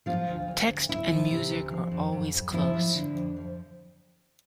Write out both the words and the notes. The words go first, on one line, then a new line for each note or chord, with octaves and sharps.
Text and music are always close.
F3 F4
D2
D2
D2
D2 E4
F3
C3
D2
F3
F2
F2
F2
F3 E4
F3
D3
F2
F3